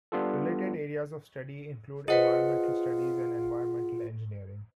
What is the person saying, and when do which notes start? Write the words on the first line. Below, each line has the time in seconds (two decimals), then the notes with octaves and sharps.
Related areas of study include environmental studies and environmental engineering.
0.12 G3 B3 D4 F4 G4 A4
2.08 F4 G#4 B4 C5 D#5 F#5